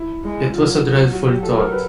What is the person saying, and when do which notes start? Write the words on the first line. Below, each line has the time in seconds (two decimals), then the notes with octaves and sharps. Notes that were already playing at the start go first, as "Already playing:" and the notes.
It was a dreadful thought.
Already playing: E4
0.24 G#3
0.53 F#3 F4
1.13 F#4
1.27 G4
1.43 A4
1.58 A#4
1.72 B4